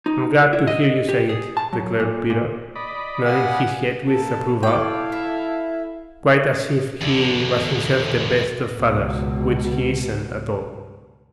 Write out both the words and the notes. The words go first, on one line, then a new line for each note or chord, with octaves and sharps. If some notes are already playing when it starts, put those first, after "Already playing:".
"I'm glad to hear you say it," declared Peter, nodding his head with approval quite as if he was himself the best of fathers, which he isn't at all.
D#4
E4
D#5
G4
G#4
A5
F#3
A#2
A#2
D5 D#5 B5
F5 F#5 G#5
A#3 A4
E4 A4 D5 F5 G5
E5
E2 D3
C#2 B2